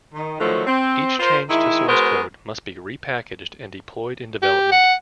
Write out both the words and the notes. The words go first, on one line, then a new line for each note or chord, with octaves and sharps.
Each change to source code must be repackaged and deployed in development.
D#3
D3 D#3 F3 F#3 A3
C4
F4 A#4 C5
D#3 G#3 E4
G#3 B3 F#4 A#4 C5
G4
F#5